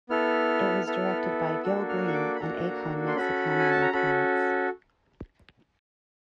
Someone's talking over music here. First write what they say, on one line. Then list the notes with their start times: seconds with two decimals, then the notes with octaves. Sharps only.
It was directed by Gil Green, and Akon makes a cameo appearance.
0.09 B3 E4 A4 F6
0.86 B3 E4 A4
1.63 A#3 D4 F#4 A4 E6
1.89 F6
2.08 C#6
2.14 D6
2.36 B5
2.40 A#3 D4 F#4 A4 A#5
3.07 C6
3.16 C#4 F#4 A4 B5
3.59 G#5
3.70 A5
3.82 A#5
3.92 C#4 F#4 A4 B5